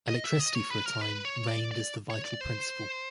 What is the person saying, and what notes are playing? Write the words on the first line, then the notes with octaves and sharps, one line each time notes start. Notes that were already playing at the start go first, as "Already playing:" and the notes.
Electricity for a time, reigned as the vital principle.
D#5
E5
D#5
C#5
B4
A#4
B4
C#5
D5
D5
C#5
D5
C5